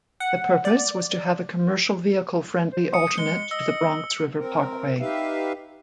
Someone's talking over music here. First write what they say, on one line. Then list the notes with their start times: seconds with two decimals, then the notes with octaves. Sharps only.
The purpose was to have a commercial-vehicle friendly alternate to the Bronx River Parkway.
0.20 F#5
0.65 D5
2.72 C5
2.94 D#6 C#7
3.18 G#3 G7
3.51 D#5 E6
4.38 C4 A#4
5.00 D#4 G4 B4 E5 F5